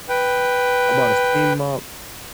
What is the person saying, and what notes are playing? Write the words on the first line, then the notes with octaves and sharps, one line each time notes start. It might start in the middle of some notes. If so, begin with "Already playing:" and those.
I bought a steam mop.
B4 G5